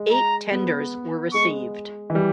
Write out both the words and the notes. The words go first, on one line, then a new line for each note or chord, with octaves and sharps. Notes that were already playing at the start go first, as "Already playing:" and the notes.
Eight tenders were received.
Already playing: G#3
A#5
B3
G#3 C#6
E3
G3